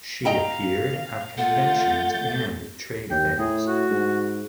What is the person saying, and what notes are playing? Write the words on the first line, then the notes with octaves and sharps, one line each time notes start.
She appeared at conventions and trade fairs.
D#5 F5 G5 A#5
A3 F4 F#5 G6 A6
D#2 G5
A2 G#4
F#4
G#2